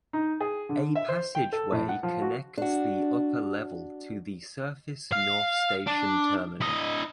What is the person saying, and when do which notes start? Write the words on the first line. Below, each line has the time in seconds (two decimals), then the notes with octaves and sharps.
A passageway connects the upper level to the surface North Station terminal.
0.13 D#4
0.41 G#4
0.69 D3
0.95 E5
1.09 C5
1.35 G5
1.52 A4
1.72 A2
1.89 F#5
2.03 F3
2.22 F#4
2.58 D4 F#4
5.13 F5
5.86 D4
6.61 E4 D#5